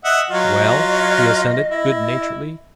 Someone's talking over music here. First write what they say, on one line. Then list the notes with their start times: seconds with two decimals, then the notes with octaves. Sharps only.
"Well?" he assented, good-naturedly.
0.04 D#5 E5 F#5
0.30 F#3 F4 D#5
1.71 E4